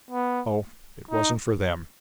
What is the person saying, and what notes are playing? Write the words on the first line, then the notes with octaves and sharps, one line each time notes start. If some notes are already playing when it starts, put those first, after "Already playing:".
No, it wasn't for them.
B3
D#4